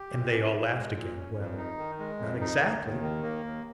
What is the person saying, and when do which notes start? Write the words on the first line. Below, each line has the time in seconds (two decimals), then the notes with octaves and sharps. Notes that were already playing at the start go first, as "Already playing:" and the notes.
And they all laughed again; well, not exactly!
Already playing: G4
0.13 A#2
0.33 C#4
0.54 F3
0.75 G#3
0.95 A#2
1.16 C#4
1.37 F2
1.58 D#4
1.78 D#3
1.99 G#3
2.19 F2
2.41 D#4
2.61 D#2
2.82 D#2
3.02 D#3
3.23 A#3
3.43 D#2